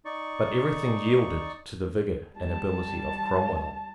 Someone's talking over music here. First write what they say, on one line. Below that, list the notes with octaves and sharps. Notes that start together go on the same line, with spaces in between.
But everything yielded to the vigour and ability of Cromwell.
D#4 D5 C#6
G3 A5